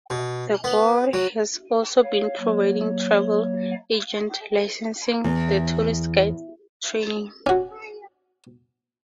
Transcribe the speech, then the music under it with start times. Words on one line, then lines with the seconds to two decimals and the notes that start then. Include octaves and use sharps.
The board has also been providing travel agent licensing and tourist guide training.
0.10 B2
0.64 B3
1.13 F#3
2.03 C#5 F5
2.39 F#3 A#3 C#5
5.24 E2
7.46 C#4 F#4